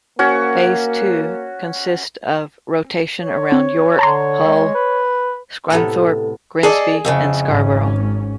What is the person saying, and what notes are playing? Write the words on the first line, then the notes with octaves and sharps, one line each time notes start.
Phase two consists of rotation around York, Hull, Scunthorpe, Grimsby and Scarborough.
A#3 C#4 F#4
C#5
C4
D3 A5 A#5 C6
G#3 E5
B4
A2 C3 B3 A4 B4 A#5
G#4 A4 D5 D#5
F2 A2 C#3
G#1 G#2 C#4